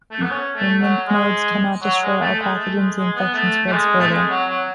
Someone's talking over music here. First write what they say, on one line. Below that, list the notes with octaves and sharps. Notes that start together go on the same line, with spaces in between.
When lymph nodes cannot destroy all pathogens, the infection spreads further.
A3
B3
C#4
A3
F#3
G#3
F#3
G#3
A3
G#3
A3
G#3
G#3
B3
A3
A3
G#3
A3
G#3
F#3
F#3